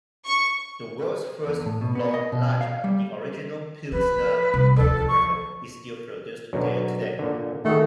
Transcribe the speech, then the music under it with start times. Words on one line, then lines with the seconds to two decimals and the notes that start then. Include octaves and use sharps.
The world's first blond lager, the original Pilsner Urquell, is still produced there today.
0.24 C#6
1.47 E2
1.65 A2
1.81 B2
1.95 B3
2.14 D#5
2.32 B2
2.61 F5
2.84 G3
3.92 F3 B4
4.54 C2
4.76 D2 F3 A4
5.08 C#6
6.53 B2 D3 F#3
7.19 A#2 D3
7.65 D#3 A3 F#4 G#4